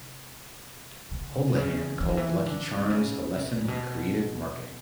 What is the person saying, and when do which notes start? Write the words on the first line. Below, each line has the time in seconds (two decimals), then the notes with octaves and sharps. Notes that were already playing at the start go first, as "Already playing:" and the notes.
Holahan called Lucky Charms a lesson in creative marketing.
Already playing: C3
1.11 C#3
1.48 C3
1.56 C#3
2.01 E3
2.09 D#3
2.17 E3
2.46 D3
2.79 C3
2.90 C#3
3.35 C3
3.46 B2
3.57 A#2
3.68 B2